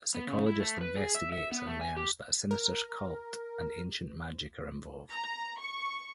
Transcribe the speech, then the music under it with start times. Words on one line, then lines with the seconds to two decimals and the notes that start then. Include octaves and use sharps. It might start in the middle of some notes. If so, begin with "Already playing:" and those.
The psychologist investigates and learns that a sinister cult and ancient magic are involved.
0.15 B3
0.27 C#3
0.47 E4
0.60 A3
0.81 B4
0.96 G#4
1.15 E5
1.32 E5
1.51 B3
1.67 A3
1.81 G#5
1.97 G4
2.51 A#4
5.12 A#5
5.59 C#6